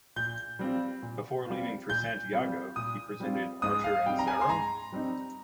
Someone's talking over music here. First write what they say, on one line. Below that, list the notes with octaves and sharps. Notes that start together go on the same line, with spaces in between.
Before leaving for Santiago, he presented Acher en serio?
A#2 G6
G3 C4 F4
A#2
G3 C4 F4
A#2 G6
G3 C4 F4
A#2 D#6
G3 C4 F4
G#2 D#6
F5
G3 C4 D#4 G5
A#5
G#5
C6
G#2 A#5
G3 C4 D#4